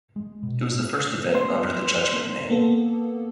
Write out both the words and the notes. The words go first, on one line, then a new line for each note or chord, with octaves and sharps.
It was the first event under the Judgement name.
G#3
B2
B3 C6
A#3 B3 A4